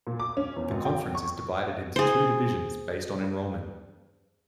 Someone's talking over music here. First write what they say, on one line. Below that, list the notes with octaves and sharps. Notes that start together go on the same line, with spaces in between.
The conference is divided into two divisions, based on enrollment.
A#2
D6
C#4
E2
G#1
G5
C#6
G#4 C5